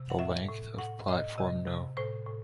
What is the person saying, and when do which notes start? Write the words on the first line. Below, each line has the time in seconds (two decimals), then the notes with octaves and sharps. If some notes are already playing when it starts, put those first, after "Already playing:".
The length of Platform no.
Already playing: C3
0.10 F#5
0.19 A2 E5
0.49 A2
0.78 A2 F#5
1.08 A2 D#5
1.38 C3 D#5
1.68 C3
1.97 A2 C5
2.26 A2